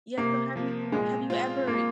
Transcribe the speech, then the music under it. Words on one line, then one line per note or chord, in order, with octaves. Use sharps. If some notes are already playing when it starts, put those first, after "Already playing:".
Yes, so have you have you ever,
C3 A#3
F3 A#3
A#2 G#3
G#3 C4 F4
A#3